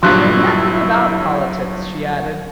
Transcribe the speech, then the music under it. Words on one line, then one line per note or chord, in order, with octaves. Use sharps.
"I know nothing about politics," she added.
G1 G2 A#2 F#3 E4 C6 F#6